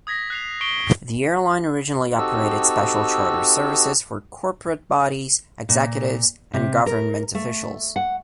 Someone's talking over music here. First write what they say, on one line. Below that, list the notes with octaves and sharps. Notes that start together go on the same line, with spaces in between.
The airline originally operated special charter services for corporate bodies, executives and government officials.
D#6 G#6 A#6 B6
F#6 C7 F7
C#6 B6 C7 D7 G7
C4 D#4 F#4 G4 A4 E6
A#2
C3
A#4
A3
F#5